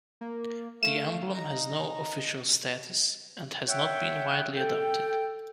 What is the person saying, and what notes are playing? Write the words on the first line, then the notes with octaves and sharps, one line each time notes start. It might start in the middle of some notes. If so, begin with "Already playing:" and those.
The emblem has no official status, and has not been widely adopted.
A#3
A3 F5 E7
D#4 A#5
C#5 E5 F#5 G5
A4 G5